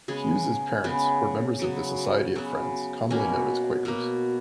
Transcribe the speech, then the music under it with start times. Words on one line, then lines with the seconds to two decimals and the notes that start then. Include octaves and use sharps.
Hewes's parents were members of the Society of Friends, commonly known as Quakers.
0.08 C#3 G#3 B3 G#4
0.84 C#3 G#3 B3
1.59 C#3 F#3 B3
2.35 C#3 F#3 B3
3.11 B2 A#3 C#4
3.85 B2 A#3